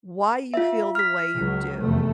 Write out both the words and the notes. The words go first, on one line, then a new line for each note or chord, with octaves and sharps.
why you feel the way you do,
F4 E5
F6 B6
C#2 F#3
F1 E2 A3